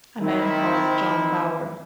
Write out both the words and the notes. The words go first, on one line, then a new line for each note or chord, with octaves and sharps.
A man called John Bauer.
D#3 C4 E4